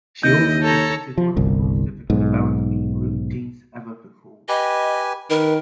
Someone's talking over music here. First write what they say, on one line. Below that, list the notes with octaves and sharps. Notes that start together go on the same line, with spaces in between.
She also competed one of the most difficult balance beam routines ever performed.
D#2 E4 D#5 G6
A4 C#5 A#5
F3
G1 C2
B1 G#2
G4 B4 D#5 G#5
D#3 A#4 B4